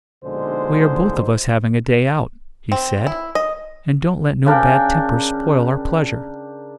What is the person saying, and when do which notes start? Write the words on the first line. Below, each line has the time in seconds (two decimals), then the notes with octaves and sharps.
'We are both of us having a day out,' he said, 'and don't let no bad tempers spoil our pleasure.
0.24 A#1 B2 D3 G#3 D#4 C5
2.72 C4
3.07 E4
3.35 D#5
4.46 C#3 D4 A#4 G5